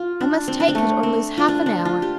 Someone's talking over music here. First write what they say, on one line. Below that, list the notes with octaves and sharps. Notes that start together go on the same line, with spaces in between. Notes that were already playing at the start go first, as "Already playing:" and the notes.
I must take it or lose half an hour.
Already playing: F4
D4
C4
D4
C4
A3
C4
F4
D4
D4
F4
G4